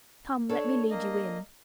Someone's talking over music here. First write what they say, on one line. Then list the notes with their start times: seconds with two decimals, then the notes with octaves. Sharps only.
Come, let me lead you in.
0.49 D4 A4 C#5
0.90 A#3 D#5